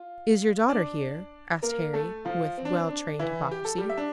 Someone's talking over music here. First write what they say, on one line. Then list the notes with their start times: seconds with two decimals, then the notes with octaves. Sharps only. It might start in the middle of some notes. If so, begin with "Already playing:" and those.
"Is your daughter here?" asked Harry, with well-trained hypocrisy.
Already playing: F4
0.69 D4 D5
1.63 A#3 A#4
1.94 A3 A4
2.25 F3 F4
2.57 C4
2.65 D4
2.73 C4
2.89 D4
3.19 E3 E4
3.51 G4
3.65 A4
3.78 G3 G4
3.89 E5
3.97 D4